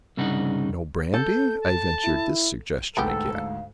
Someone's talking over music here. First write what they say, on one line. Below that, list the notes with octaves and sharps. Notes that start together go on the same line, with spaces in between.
"No brandy?" I ventured this suggestion again.
C2 G2 C#3 D#4 B4 F#5
A4 G6
A5
E4
D2 G#2 G#3 B3 G4 A4 G5
F5